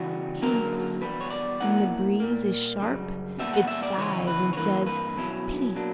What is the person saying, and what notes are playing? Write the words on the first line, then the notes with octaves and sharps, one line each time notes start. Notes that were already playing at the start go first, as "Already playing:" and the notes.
Peace!' When the breeze is sharp it sighs and says: 'Pity!
Already playing: C#3 E3 G3 F#4
F#2 D3 F#3 A#3 A#4
E2 B2 G3 B3 B4
C#5
D5
B2 A#3 C#4 E4 F#5
A#2 G3 A#3
F#2 C#3 G3
A#2 G3 B3 E5
F#5
E5
D5
C#3 E3 B3 E4 C#5
B4
C#5
G2 E3 A#3 B4
B4
B2 F#3 C#4 E4
B2 F#3 A#3 D4